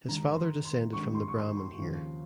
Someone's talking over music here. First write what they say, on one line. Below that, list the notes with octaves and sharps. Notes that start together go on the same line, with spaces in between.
His father descended from the Brahmin here.
G#1 G2 D#3 A#5
C6
C6
G#1 G2 D#3 C#6
C6
C#6
C6
C6
D#2 C#3 F3